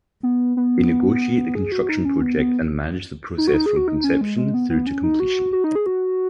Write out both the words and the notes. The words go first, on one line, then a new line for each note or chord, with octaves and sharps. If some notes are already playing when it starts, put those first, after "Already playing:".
They negotiate the construction project and manage the process from conception through to completion.
B3
B3
G#4
F#4
D#4
C#4
B3
B3
D#4
F#4
D#4
G#4
F#4
D#4
C#4
G#3
G#3
B3
B3
C#4
D#4
F#4
F#4
D#4
G#4
F#4